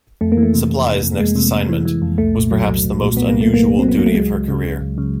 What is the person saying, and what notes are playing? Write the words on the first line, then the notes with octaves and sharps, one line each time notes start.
"Supplys" next assignment was perhaps the most unusual duty of her career.
F2 A3
A#3
E3
A3
C3
F2
C3
F2
F2 G#3
C3
F2
E3
E3
F2
C2 A3
A#2
F#3
C2
C2
A#2
A#2 B3
C2 A#3
A3
C2 A#3
C2
F#3 C4
B3
F#3 A#3
A3
C#2 G#3
C#2
C#3
C#2
C#2
C#3